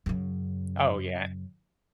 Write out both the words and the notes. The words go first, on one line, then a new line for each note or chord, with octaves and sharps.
Oh, yeah.
F#2 C#3